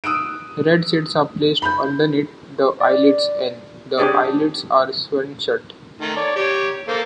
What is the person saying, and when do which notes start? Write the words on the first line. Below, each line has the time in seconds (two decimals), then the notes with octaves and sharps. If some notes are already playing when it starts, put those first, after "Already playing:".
Red seeds are placed underneath the eyelids and the eyelids are sewn shut.
0.04 D#6 E6 F#6 D7
1.62 B5 G6
2.80 D5
3.98 C4 D4 G4 G#4 C#5 D5
6.01 D#3 A3
6.16 C#5 D5
6.36 G4 C#5
6.88 A#3 A4 C5